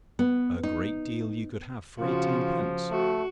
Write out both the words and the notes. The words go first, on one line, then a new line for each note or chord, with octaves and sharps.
A great deal you could have for eighteenpence!
B3
D#4
C#3 F3 F4 F#4
A3 F#4